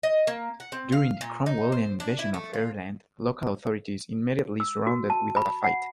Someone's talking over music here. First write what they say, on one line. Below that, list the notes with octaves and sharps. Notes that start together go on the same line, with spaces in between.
During the Cromwellian invasion of Ireland, local authorities immediately surrendered without a fight.
D#5
A#3
F#5
C4
F5
A#2
D#4
C5
D4
E4
A3
F4
E6
F#4
A5
B5
F#5